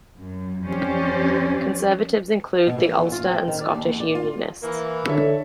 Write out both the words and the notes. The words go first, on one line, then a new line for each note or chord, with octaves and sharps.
Conservatives include the Ulster and Scottish Unionists.
F#2
F2 C#4 G4 C5 D5
B2
E3
E2
F4
C4
D#3
D5
D#2
E2
D5
F4
E3 A#3
D3 A4 C#5 E5